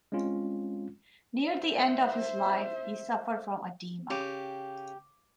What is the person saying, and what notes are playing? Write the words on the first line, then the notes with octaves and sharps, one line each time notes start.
Near the end of his life, he suffered from edema.
G#3 C4 C#4 F4
C5 E5
C#3 G4